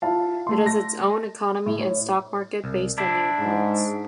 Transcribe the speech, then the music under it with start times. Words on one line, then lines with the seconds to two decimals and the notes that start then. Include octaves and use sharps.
It has its own economy and stock market based on Neopoints.
0.02 E4 F4 E5 F5 A5
0.47 A3 C6
0.66 A#6
1.66 A2
1.81 C#5
2.64 C2
2.98 D4 E4
3.39 G#2